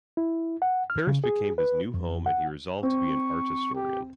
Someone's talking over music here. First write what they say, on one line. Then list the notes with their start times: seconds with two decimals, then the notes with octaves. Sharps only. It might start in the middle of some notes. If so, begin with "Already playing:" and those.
Paris became his new home and he resolved to be an art historian.
0.17 E4
0.62 F#5
0.90 F6
1.07 C#3
1.24 G#4
1.58 B4
1.94 F2
2.26 F#5
2.83 C4 C#6
3.75 G4